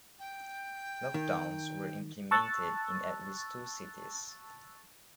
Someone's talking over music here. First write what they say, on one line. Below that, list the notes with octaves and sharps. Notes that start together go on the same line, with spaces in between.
Lockdowns were implemented in at least two cities.
G5
D#3
A5 C#6 E6 F#6 A6